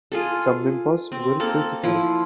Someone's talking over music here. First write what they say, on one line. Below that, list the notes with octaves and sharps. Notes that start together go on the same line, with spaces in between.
Some members were critical.
F4 G#4 A4
C4
A#3 A4
F3 E4